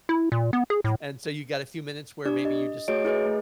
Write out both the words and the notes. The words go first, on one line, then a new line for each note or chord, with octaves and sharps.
And so, you got a few minutes where maybe you just
E4
A#2
B3
G#4
A2
D4 E4 G4 D5
D#5
A3 F#4 G#4 C#5 D#5 D7
E4 G#4 B4 D#5
A3